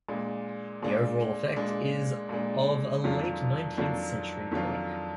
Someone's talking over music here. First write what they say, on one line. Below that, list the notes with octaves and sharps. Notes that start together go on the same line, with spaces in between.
The overall effect is of a late-nineteenth-century work.
A#2 G#3 D4
A#2 G#3 D4
A#2 G#3 D4
A#2 G#3 D4
F2 D#3 F#3 D4 F4
F2 D#3 F#3 D4 F4
F2 D#3 F#3 D4 F4